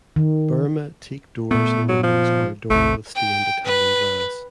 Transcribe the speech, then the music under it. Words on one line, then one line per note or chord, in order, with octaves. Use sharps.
Burma teak doors and windows are adorned with stained Italian glass.
D#3
A#2 A3 B3
F#3
F3
A1 D#2 C3 A3
G5
B4